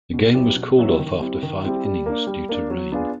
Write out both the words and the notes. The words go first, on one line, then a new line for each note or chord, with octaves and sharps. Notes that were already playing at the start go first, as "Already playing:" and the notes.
The game was called off after five innings due to rain.
B2
F#3 B3 E4 G4
B2
F#3 B3 E4 G4
D#3
G3 C4 E4
D#3
G3 C4 E4
G3
A#3 D4
G3
A#3 D4
F#3
B3 D4 F4 G#4